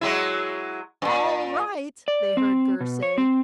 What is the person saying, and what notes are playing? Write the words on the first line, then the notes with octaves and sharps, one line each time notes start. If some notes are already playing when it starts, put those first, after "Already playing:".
"All right!" they heard Gurr say.
F#3 G#3 E4
G2 A#2
D5
C4
B2
C#5
C4